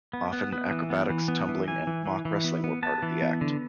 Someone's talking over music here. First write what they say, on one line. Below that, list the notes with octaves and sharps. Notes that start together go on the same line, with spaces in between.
Often acrobatics, tumbling and mock wrestling were part of the act.
B3
B3
B3
E3
B3
E3
B3
E3
E3 G#5
E3
E3
E3
B3
B3
B3 A5
E3
B3
D3